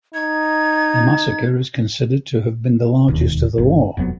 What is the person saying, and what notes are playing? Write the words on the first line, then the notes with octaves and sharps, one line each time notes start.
The massacre is considered to have been the largest of the war.
D#4 G#6
E1 D#2
G1
E1 F2 F#3 B3